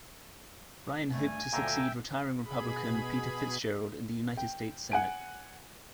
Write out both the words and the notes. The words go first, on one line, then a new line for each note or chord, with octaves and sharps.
Ryan hoped to succeed retiring Republican Peter Fitzgerald in the United States Senate.
G2 G3 A3 G#5
D2 A#2 A4 E5 G5 A5 A#5
B2 G#4 B5
G5
F#5 G#5 D7